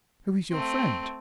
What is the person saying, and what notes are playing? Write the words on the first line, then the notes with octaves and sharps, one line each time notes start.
"Who is your friend?"
A3 C4